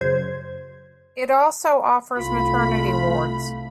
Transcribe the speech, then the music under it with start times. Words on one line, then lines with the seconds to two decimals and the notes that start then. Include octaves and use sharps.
It also offers maternity wards.
0.01 F#2 C#3 C5 G#6
2.18 C2 A3 F4 B5